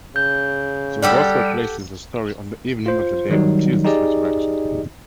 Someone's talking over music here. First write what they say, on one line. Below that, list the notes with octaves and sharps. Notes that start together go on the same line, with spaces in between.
The gospel places the story on the evening of the day of Jesus' resurrection.
C#3 G6
G3 G4 A4 F#5
F4 C5
D#3 F#3 G3 D#4
D#4 G4 G#4 D5 D#5